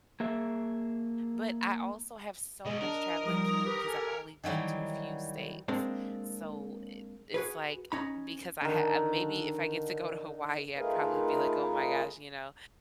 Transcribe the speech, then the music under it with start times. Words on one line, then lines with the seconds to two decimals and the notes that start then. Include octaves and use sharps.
but I also have so much traveling to do because I've only been to a few states. So i it's like because I ha ah maybe if I get to go to Hawaii, I'd probably be like, "Oh, my gosh." You know?
0.20 A#3 G#4 E5
2.66 E2 B2 G#3 G#4 D#5
2.81 D4 A#4
3.25 F3 G3 D#4 D#6
3.65 G4 B4
3.88 A4 G#5 D6 G#6
4.44 D#3 E3 F#3 G3
5.68 G#3 A#3 C4 D4
7.34 F#4 G#4 B4
7.92 C#4 D#4 B5
8.61 D3 D#3
10.76 A3 D#4 F4 G#4 A#4 B4